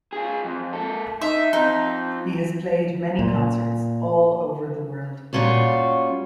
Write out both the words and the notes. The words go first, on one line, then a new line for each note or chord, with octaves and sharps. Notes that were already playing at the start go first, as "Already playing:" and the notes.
He has played many concerts all over the world.
F4 G#4
F2
A#3 A4
D#4 E5
F3 C4 D#4
A#2
A#2 G3 C#4 F4 F#4